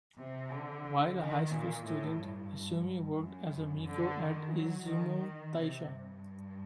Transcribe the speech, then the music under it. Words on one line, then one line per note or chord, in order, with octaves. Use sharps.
While a high school student, Esumi worked as a miko at Izumo-taisha.
C3
D3
D#3
A#2
A2
G2
F#2
D3
D#3
F#3
D#3
D#3
C3
G2